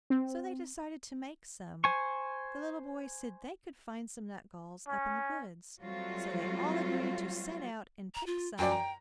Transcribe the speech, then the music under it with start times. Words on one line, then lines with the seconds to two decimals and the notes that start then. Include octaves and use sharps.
So they decided to make some. The little boys said they could find some nutgalls up in the woods. So they all agreed to set out and pick some.
0.10 C4
1.84 C5 G#5 C#6
4.88 C#4
5.82 F#3 G3 A3 C4 F4 F#4
8.15 A#5
8.26 F4
8.59 F#2 F#4 D5 G5
8.71 A#5